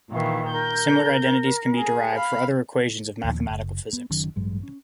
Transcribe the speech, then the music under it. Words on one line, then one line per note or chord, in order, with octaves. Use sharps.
Similar identities can be derived for other equations of mathematical physics.
A#2 D#3 E3 E5 F5 C#6
A#4 G6
G#4
F5 B5
D#2 A#2 F3
F#1
B3
F#1 D#3 F#3 C#4
A1 G2 F#3 G#3
C#4